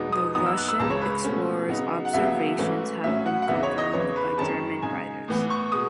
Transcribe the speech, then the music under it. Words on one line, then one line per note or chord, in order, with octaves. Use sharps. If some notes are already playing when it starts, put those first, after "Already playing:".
The Russian explorer's observations have been confirmed by German writers.
Already playing: E2 B2 G#3 B3 D#4
D#6
F#2 E3 B3 D#4 D#6
E6
F#6
E6
C#2 C#3 E3 G#3 A5
C#5
B4
B2 A3 C#4
C#3 F#3 B3 D#4
F#5
D#2 C#3 F#3 B3 E5
G#2 E3 A3 C#4
A2 F#3 C#4 E5
F#5
F#5
E2 C#3 E3 B3 D#4 E5
C#5
D#5
E2 C#3 E3 C#5
B4
F#2 D#3 G#3 C#4 A5
C#3 G#3 D#4 G#5
A2 E3 B3
C#6
B2 G#3 D#6